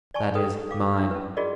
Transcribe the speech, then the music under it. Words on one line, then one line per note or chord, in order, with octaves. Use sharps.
That is, mine.
D5 G#5 A5 C#6
A4 B4 G5 D#6
F5 D6
D4 E4
C#4 B4
F4 F#4 G#4 A#4 D5 D#5